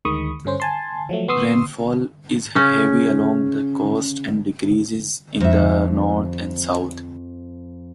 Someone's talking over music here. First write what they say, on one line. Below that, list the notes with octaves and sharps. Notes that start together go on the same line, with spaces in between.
Rainfall is heavy along the coast and decreases in the north and south.
D2 D#3 G#3 B5 C#6 D#6
G2 D3 C#4 C5
G#5 A5 C6
F3 F#3 A3
B3 C6 C#6 D#6 E6 C7
C#3 C#4
F2 E5